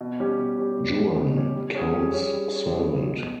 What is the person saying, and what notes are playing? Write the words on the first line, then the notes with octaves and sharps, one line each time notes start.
Juan: Count’s servant.
B2
G3 C#4 G4 C#5
B2
G3 C#4 G4 C#5
B2
G3 C#4 G4 C#5
B2
G3 C#4 G4 C#5
G3
C#4 G#4 C#5
G3
C#4 G#4 C#5
G3
C#4 G#4 C#5
G3
C#4 G#4 C#5
B2